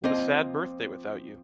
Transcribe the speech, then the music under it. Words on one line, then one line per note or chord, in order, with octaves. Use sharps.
What a sad birthday without you!
F3 A#3 C4 F4 D#5